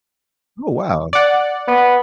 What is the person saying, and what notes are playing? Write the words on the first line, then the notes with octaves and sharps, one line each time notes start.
Oh, wow.
D5 F#5
B3